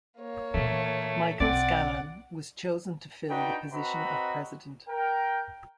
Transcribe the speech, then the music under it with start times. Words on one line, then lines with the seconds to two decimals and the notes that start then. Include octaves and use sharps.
Michael Scanlan was chosen to fill the position of president.
0.18 A#3 C#5
0.54 A#2 E3 A3
1.40 B1 C4 D5 F#5
3.29 D4 D#4 F#4 B4 G5
3.73 C4 F#4 B4 D#5 A#5 B5
4.88 A#4 G5